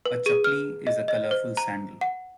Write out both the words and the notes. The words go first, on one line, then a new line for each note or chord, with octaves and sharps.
A "chaplis" is typically a colourful sandal.
B4
G#4
F6
D#5
D#5
C5
A#5
F#5